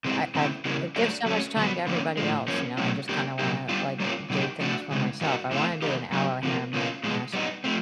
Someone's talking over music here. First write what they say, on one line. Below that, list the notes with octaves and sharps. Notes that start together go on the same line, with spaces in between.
I I've I give so much time to everybody else, you know? I just kinda wanna, like, do things for myself. I wanna do an aloe hair mask.
C3 E3 G#3 C4
C#3 E3 A3 C4
C#3 E3 G3 A#3
F#3 A3 D4
F#3 A3 C#4
D3 F#3 B3
D3 F3 A#3 C#4
A2 F3 G#3
F3 A#3 C#4
B2 F#3 A3 C#4 F4
F#3 A#3 D4 G4
B2 F#3 A#3 D#4 G4
G3 B3 D4 F4
G3 A#3 C#4 F4
B2 F#3 A#3 D#4 G4
F3 A3 D4 F#4
C#3 E3 G#3
E3 G3 A#3 D#4 F#4
C3 E3 A3 C4 F4
E3 G3 A#3 D#4 G4
F#3 A#3 D#4 G4
C3 F3 A#3
C#3 F3 A#3 C#4 F4
A#2 F3 G#3
G3 B3 D#4
F3 A3 C4